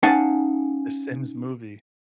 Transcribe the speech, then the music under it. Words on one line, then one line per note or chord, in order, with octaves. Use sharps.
The Sims movie
C#4 D#4 F5 F#5 G#5 A5